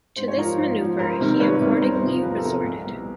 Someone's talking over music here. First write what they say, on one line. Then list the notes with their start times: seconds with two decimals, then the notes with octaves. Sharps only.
To this manoeuvre he accordingly resorted.
0.16 G#2 C5
0.28 C#5
0.37 F3 A#4 C5
0.58 G#2
0.79 F3
0.99 C#2 A#4 C5
1.20 C3 D#3 G3
1.40 C#2 B4 C#5
1.61 C3 D#3 G3
1.81 E2 A#4 C5
2.03 C3 F3
2.23 E2 B4
2.31 A#4
2.38 A4
2.44 C3 F3 G#4 A#4
2.64 C2
2.84 B2 G3